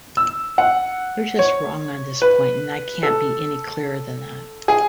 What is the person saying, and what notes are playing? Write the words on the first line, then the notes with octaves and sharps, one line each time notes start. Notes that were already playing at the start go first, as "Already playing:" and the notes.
They're just wrong on this point and I can't be any clearer than that.
E6
F#5
C#5
B4
A4
G#4